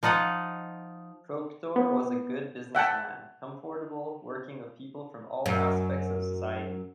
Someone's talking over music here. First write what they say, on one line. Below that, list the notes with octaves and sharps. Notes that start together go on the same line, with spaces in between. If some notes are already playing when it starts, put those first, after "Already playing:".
Proctor was a good businessman, comfortable working with people from all aspects of society.
F3 D#4 F4 F#5
B3
E5 F#5 G5 A5
F#2